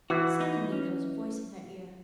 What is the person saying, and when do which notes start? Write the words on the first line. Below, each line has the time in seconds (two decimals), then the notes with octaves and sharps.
Suddenly there was a voice in her ear.
0.10 E3 F#4
0.41 D#4
0.72 C#4